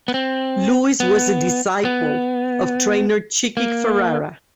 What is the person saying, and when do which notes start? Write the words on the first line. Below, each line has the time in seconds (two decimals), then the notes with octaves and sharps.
Lewis was a disciple of trainer Chickie Ferrara.
0.08 B3
0.14 C4
1.00 B3
1.85 B3
3.57 A#3